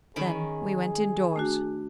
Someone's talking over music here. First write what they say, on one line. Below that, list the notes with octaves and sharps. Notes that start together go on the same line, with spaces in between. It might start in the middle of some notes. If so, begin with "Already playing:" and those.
Then we went indoors.
D#3 C#4 G#4 B5
A3 D4 F#4